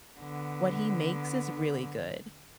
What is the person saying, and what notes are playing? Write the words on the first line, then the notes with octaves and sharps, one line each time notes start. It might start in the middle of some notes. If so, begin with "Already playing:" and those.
what he makes is really good.
D3 B3